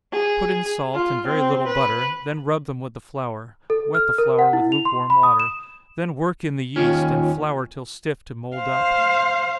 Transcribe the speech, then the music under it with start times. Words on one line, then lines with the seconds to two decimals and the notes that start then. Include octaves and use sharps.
Put in salt, and very little butter--then rub them with the flour--wet the flour with lukewarm water--then work in the yeast, and flour till stiff to mould up.
0.12 G#4
0.94 F4
1.27 C4
1.67 B4
3.70 A4
3.95 F6
4.18 A#4
4.39 F#5
4.53 E4
4.72 F7
4.85 C6
5.10 B5
5.23 D#6
5.40 E7
6.76 D#2 C#4 F4
8.56 C5 F5